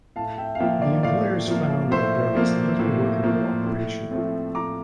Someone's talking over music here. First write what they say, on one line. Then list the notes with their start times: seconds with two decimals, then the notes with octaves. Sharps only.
The employers found that there was little worker co-operation.
0.16 A2 F5 A5
0.38 E5 G5
0.55 F5
0.59 F3 A#3 E5 G5
0.82 D5 F5
1.03 A2 D5 F5
1.48 F3 A#3
1.91 A2 C5 E5
2.35 F3 A#3
2.79 A2
3.23 F3 A#3
3.67 A2
4.11 F3 A3 C4
4.55 A2 A#5 D6